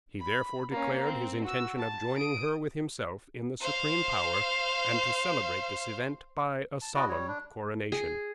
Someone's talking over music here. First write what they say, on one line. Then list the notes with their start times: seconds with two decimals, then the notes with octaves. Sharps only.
He therefore declared his intention of joining her with himself in the supreme power, and to celebrate this event by a solemn coronation.
0.20 B5
0.71 A#3 C#4
1.04 C4
1.45 F#4 E6
1.78 A5
2.18 D#6 D7
3.60 C5 F5
6.82 A5
6.95 E4 F#4 D5 D#5
7.09 G3 C#5
7.28 D4
7.92 G#4